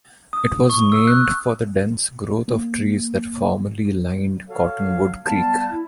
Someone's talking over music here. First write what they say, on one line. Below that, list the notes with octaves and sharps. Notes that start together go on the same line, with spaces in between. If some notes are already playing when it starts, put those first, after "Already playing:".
It was named for the dense growth of trees that formerly lined Cottonwood Creek.
D#6
C#6
E6
F#6
A#3
F#4 A4 C#5 F5
G3 B3 F5 A5
E4